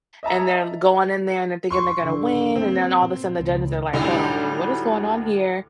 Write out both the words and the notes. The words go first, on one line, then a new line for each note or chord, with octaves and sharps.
and then going in there and they're thinking they're gonna win, and then all of a sudden the judges are like, "Hold on, wait, what is going on here?
D#5 E5 A5 A#5
C6 C#6
D3
A#3 C4
B2
C#2
D2 A2 F#3 G3 D4 D#4